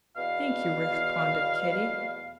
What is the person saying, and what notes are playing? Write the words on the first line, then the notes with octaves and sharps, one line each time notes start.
"Thank you," responded Kitty.
E2 B2 F5